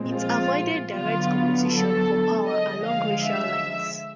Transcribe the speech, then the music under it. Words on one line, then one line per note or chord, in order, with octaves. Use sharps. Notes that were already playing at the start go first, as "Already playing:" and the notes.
It avoided direct competition for power along racial lines.
Already playing: A#2 F3 G#3 C4
F4
D3 F#3 B3 F4
A4
D3 F3 G#3 D#5
F5
E5